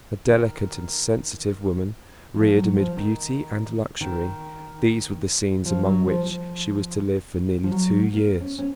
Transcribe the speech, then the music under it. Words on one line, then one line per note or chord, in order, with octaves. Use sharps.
A delicate and sensitive woman, reared amid beauty and luxury, these were the scenes among which she was to live for nearly two years.
D#3
F3
F#3
F3
D#3
D#3
F3
F#3
F3
F3
F3
F#3
A#3
C#4
C#4